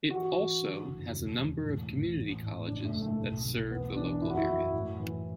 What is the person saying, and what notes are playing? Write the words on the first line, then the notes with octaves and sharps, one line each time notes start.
It also has a number of community colleges that serve the local area.
E3 F#4
E3
D3
F#1
E1
E1
A2
A1
A1
A2
F#1 D4
A3
F#1
A3
B1
B1
E2 B3
E3 D4
F#2 E4
F#4
E4
F#2
A2
E3